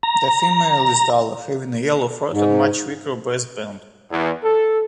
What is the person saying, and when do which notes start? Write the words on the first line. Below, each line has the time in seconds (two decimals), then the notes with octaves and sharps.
The female is duller, having a yellow throat and much weaker breast band.
0.03 A#5
2.32 G#2
4.11 E2
4.43 A4